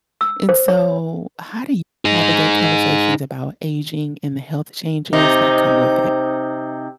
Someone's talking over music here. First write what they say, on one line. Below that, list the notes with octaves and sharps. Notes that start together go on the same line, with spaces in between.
and so, how do y navigate conversations about aging and the health changes that come with it?
E6
C5
C#5
D#4 G#4
C3 D#4